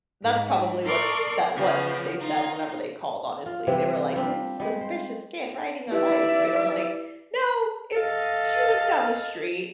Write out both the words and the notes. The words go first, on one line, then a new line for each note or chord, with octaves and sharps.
That's probably what that what they said whenever they called, honestly, they were like, "There's a suspicious kid riding a bike," and I'm like, "No, it's she lives down the street,
G#2
A4 A#4 D5 C6 C#6 D#6
C#3 F3 B3 C#4
D#4 F4
F4
C3 E3 G3 C4
G3 C4 D4 F4
G3 G#3
C5
E4 G4 B4 D5 E5
A4 D#5 F5